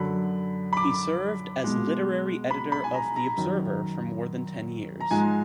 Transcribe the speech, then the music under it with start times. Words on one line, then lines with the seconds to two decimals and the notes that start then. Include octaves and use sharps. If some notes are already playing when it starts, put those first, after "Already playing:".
He served as literary editor of "The Observer" for more than ten years.
Already playing: F#2 D3 F#3 B5
0.73 B5
0.77 D6
1.64 B2 G#3
2.51 B5
2.72 B5
2.84 G#5
2.94 A#5
3.16 A#5
3.37 F#2 D#3 F#3
5.00 A#5
5.11 G#2 F3 G#3 G#5